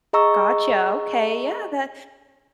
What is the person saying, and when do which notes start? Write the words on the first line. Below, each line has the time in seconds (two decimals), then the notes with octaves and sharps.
Gotcha. Okay, yeah! That
0.13 G#4 D#5 A#5 C#6 E6